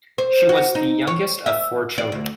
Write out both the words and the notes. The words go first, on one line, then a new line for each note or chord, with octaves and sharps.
She was the youngest of four children.
C5
F#4
D#4
C#5
E5
D5
D2